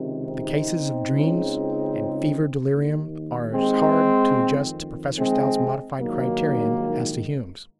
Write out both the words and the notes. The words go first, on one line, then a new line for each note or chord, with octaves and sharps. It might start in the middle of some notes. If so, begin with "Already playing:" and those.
The cases of dreams and fever-delirium are as hard to adjust to Professor Stout's modified criterion as to Hume's.
Already playing: C#2 C3 D#3
C4 D#4
C#2 C#3
D#2 D#3
G#3 C4
F2 D#3
G#3 C4
A#1 G#2 D#3 F#3 A#3